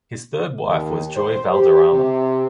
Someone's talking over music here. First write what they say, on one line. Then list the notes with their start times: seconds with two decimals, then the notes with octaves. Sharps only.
His third wife was Joy Valderrama.
0.63 D#2
1.16 C5
1.50 G4
1.92 C3